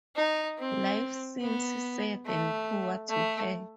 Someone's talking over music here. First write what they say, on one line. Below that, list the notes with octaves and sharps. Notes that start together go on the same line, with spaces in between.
Life seems sad and poor to her.
D#4
C4
B3
A3
A3